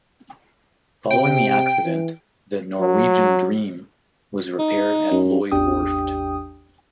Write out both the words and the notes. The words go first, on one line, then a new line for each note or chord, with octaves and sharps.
Following the accident, the "Norwegian Dream" was repaired at Lloyd Werft.
C3 G5
E3
F#3
D#4
F#2
A1 E2 D4 G4 G5 D#6